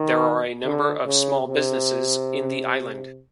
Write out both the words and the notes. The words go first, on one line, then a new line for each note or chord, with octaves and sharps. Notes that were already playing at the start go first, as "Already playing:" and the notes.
There are a number of small businesses in the island.
Already playing: D#3
D3
C#3
C3